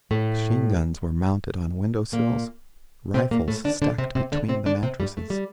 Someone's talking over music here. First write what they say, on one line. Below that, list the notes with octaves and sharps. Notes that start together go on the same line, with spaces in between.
Machine guns were mounted on window-sills, rifles stacked between the mattresses.
A2 A3
A#2 A#3
C3 C4
A#2 A#3
A2 A3
D3 D4
D3 D4
C3 C4
C3 C4
D3 D4
C3 C4
D3 D4
C3 C4
G2 G3
A3
G3